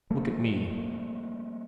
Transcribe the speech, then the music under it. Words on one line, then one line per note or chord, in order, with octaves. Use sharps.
Look at me.
F3 G3 A3 A#3